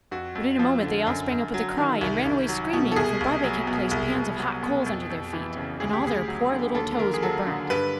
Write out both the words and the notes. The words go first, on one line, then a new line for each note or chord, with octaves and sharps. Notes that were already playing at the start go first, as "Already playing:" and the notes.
But in a moment they all sprang up with a cry, and ran away screaming, for Barbaik had placed pans of hot coals under their feet, and all their poor little toes were burnt.
F2 F#4
F2
F3
D3
F#2
F#2
F#3
D#3
C2
C2
F#3
B2
A4
C2 G#4
C2
F#3
B2
C2
C2
F#3
B2
F2
F2
E3
C#3
D2 G#4
G4
D2 G#4
F#3
D3
D#2 A4
D#2 A#4
G#4
F#3 A4
D3
G2 B4